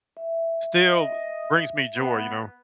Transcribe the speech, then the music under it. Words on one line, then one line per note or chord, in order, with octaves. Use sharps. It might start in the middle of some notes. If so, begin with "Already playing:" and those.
still brings me joy, you know.
E5
D#5
B3